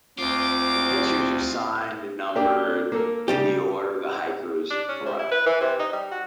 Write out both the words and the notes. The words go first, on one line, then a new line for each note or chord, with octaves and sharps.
The pictures are signed and numbered in the order the hikers arrive.
D2 C4 F4 D6
A#3 D4 G4
A#3 A4 A#4
C#3 G3 G4
D4
C#4
C3
E4
B4
E3
C3
D#4
G3
F#4